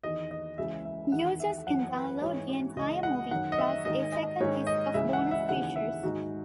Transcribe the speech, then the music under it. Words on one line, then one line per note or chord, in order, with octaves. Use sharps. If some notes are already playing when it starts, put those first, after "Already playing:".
Users can download the entire movie, plus a second disc of bonus features.
E2 D#3 D#5
D#5
C#2 C#3 E3 E5
E5
E2 D#3 F#5
E5
F#2 E3 F#5
B4
G#2 E3 C#5
C#2 C#3 E3 D#5
F#5
F#2 D#3 F#5
D#5
E5
G#2 D#3 D#5
D#5
G#2 D#3 C#5
D#5
C#2 C#3 E3 E5
F#5
E5
D#2 C#3 E3 F#5
E5
G#2 D#3 F#4